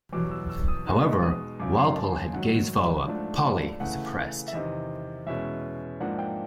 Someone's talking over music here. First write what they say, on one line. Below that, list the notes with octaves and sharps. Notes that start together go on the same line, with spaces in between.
However, Walpole had Gay's follow up, "Polly", suppressed.
E2 B2 F#3 D6
E6
E6
D#6
B2 G#3 B3 D#4
D#6
F#2 C#3 F#3 D6
C6
A5
G#5
G#2 D#3 F#3 F#5
G#2 F3 A3 D4
C#3 E3 A3 F#5
E5
E2 C3 D#3 D#5
E2 B2 G#3 C#4 E5
G#2 F3 A#3 D4 F#5
G5